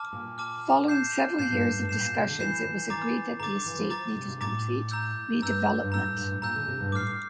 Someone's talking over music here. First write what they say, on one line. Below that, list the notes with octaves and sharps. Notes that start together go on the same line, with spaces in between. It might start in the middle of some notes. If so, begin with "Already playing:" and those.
Following several years of discussions, it was agreed that the estate needed complete redevelopment.
Already playing: A5 D6 F6
A#2
A5 D6 F6
G6 C7 E7
A#2 G6 C7 E7
G2
A2
G2
A2 G6 C7 E7
A#2
C3
D3
E3 G6 C7 E7
E3
E3 A#5 D6 A6
D3 A#5 D6 A6
E3
F3
A#5 D6 A6
C3
C3
A2 A#5 D6 A6
A#5 E6 G6
G2 A#5 E6 G6
G2
A2 A#5 E6 G6
A2
G2
A2
A#2 A#5 E6 G6
D3
C3
G2
A2 D6 F6 C7